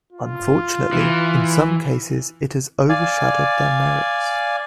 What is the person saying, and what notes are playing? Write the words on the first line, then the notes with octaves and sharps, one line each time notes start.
Unfortunately, in some cases it has overshadowed their merits.
F4
E3
D5 F5 G#5